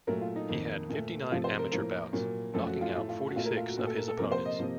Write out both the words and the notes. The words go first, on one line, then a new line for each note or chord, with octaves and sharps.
He had fifty-nine amateur bouts, knocking out forty-six of his opponents.
A#2 F#3 A3 A#4
F4
D#4
F2 D#3 A#3
A#2 A3
C3 F3 A3 F4
C5
A#4
A2 F3 A#3 A#4
A#2 F#3 A#3
F#2 F3 A3 A4
F#4
F4
A2 A3 F4
F4
F#4
A#2 A3 F4
A#4
F4
F#4
A#2 A3 F#4
A4
A#4
A4
C3 F3 A#3 A#4
C5
D#5
C3 F3 A#3